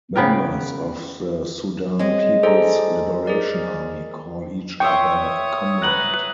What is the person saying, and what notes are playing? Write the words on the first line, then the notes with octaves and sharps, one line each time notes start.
Members of the Sudan People's Liberation Army call each other 'Comrade'.
C#3 B3 G4 A#4
G3 G#3 C4 C#5 D#5
G#4 A4 C5 D5 G#5 A#5
G#4 A#4 D5
C#5 E5 G5 C6 C#6 D#6
B4 F#5 A#5 F#6 F#7